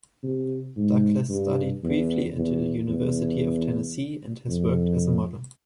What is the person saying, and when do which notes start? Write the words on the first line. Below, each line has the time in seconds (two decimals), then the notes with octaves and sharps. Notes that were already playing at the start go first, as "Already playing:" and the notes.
Douglas studied briefly at the University of Tennessee and has worked as a model.
0.23 C3
0.77 G#2
1.29 G2
1.84 E2
2.36 E2
2.89 E2
4.48 F2